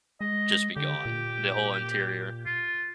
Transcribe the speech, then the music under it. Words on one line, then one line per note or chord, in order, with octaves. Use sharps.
just be gone, the whole interior.
G#3 D#5
D3 G4
A#2
F4